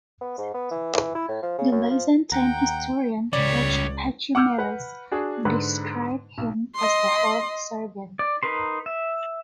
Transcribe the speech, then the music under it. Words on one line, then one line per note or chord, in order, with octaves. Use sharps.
The Byzantine historian, George Pachymeres, described him as a "half-Serbian".
B3
G#2
B3
E3
E3
E4
A2
F3
C#3
F#2
F3
D#2 F#5 G5 A#5
C#2 C#3 G3 C#5 D5
F#5 D6 E6 F6 G6
B4 F#5
D4 F#4 G#4
G#2 D3 B4
B1
D#5 C6
D5
D#4 A#4 B4 C6
E5